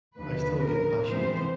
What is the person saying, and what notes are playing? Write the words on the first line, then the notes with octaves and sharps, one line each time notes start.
I still get passionate.
D#2 D3 F3 B4
A#4
C3 E3 G#3 B3 C5